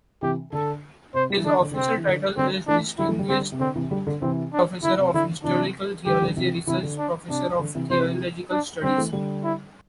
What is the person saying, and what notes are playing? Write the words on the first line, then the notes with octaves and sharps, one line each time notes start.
His official title is Distinguished Professor of Historical Theology, Research Professor of Theological Studies.
C3 E3 G4
D3 A4
C3 C5
G3
E3
D3 D4
D3
D3
C3 C4
E3
D3
D3 G3 C4
E3 A3 D4
D3 G3 E4
E3 A3
D3 G3
D3 G3 C4
C3
D3 C4
C3 E3
D3 G3
D3
C3 E3 C4
D4
D3 E4
C3
D3 E4
C3 E3 D4
D3 G3 G4
D3 G3
C3 E3
C3 E3 E4
D3
D4
C3 D4
D3
C3 E3
C3 E3 C5
D4
D3 G3 C4
E3 A3
D3 G3
E4